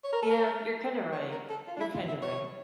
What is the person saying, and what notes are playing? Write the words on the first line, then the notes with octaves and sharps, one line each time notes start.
Yeah, you're kinda right. You're kinda right.
C#5
A#4
A4
A#4
C#5
A#4
A4
F4
D4
E4
F4
E5
C#5